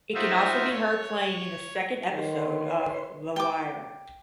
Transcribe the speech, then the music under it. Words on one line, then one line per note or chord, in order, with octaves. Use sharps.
It can also be heard playing in the second episode of "The Wire".
D#4 F4 F#4 C5 E5
C#5
D#3 B4 C#5 C6
G5 D6